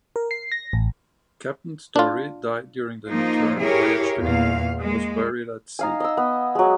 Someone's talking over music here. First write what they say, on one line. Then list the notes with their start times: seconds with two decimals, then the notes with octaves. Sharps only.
Captain Storry died during the return voyage to England and was buried at sea.
0.16 A#4
0.31 C7
0.52 A#6
0.73 A1
1.96 D4 F4
3.09 F3 A#3 D#4
3.61 E4 G4 G#4 A#4 C#5
4.20 E2 A#2 F5
4.80 G#3 A#3
5.79 D#4 F5 G#5
6.00 D#5 E6
6.17 B3
6.55 F#3 G#3